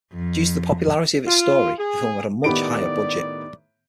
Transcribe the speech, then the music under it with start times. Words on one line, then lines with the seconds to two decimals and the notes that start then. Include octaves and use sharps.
Due to the popularity of its story, the film had a much higher budget.
0.13 F2
1.27 F4
1.79 G#4
2.44 A2 D#3 B3 G4 D5 B5 D7